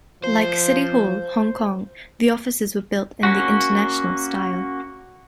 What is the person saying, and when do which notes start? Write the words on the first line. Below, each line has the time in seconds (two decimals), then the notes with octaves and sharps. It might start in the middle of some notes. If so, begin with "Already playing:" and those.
Like City Hall, Hong Kong, the offices were built in the International style.
0.24 F3 C5
3.23 A#3 C#4 F#4